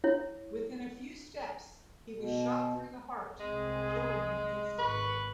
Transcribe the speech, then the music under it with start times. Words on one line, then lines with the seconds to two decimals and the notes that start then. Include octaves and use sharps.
Within a few steps, he was shot through the heart, killing him instantly.
0.04 E4 C#5
2.17 B2
3.40 C2 G#3 C4 G#4
4.79 G#1 B4 C#6